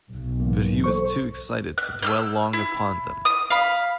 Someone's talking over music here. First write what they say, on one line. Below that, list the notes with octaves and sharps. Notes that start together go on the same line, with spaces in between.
But he was too excited to dwell long upon them.
B1
G#2 E3 A#3
A4 C5 C#6
F#6
E6 F6 G6
E4
D#6
F5 B5